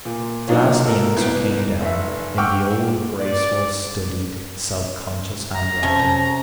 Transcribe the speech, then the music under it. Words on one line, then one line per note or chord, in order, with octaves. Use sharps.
At last the answer came down, in the old graceful, studied, self-conscious handwriting.
A#2
F#3 A#3 D4 D#4 F4 C#5
A4 A#4
C2 B3 D7
F1 E5
F#5 G5 C#6 D6 E6 F6
D5
A#5
C3 C#4 G#5 A5